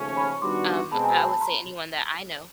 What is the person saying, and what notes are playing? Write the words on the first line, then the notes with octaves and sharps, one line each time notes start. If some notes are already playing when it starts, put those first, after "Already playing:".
Um, I would say anyone that I know.
Already playing: D#2 C#3 F3 A3 C#4
B5 C#6
D#3 G3 B3 D4 F#4 C6 D6
B2 G#3 C4 A5 B5
G#5 A#5
A5 B5
A5 B5
A#5 C6